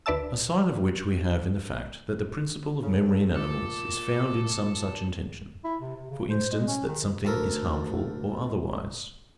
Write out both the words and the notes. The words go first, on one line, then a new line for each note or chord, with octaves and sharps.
A sign of which we have in the fact that the principle of memory in animals is found in some such intention, for instance, that something is harmful or otherwise.
D2 B4 D5 E5 A5 E6
C#3 A4
A#2 A4 D6
E4
C3
C3
C#3
C5
G#3
C#4
D#3
D2 A4 A#4